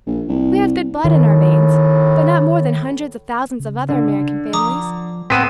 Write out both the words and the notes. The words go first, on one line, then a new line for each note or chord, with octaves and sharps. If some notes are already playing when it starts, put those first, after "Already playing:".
We have good blood in our veins, but not more than hundreds of thousands of other American families.
A#1
C2
A2 D#3
C#3
D3
F3 A#5 D6 D#6
A2 B3 C4 B6 D#7 E7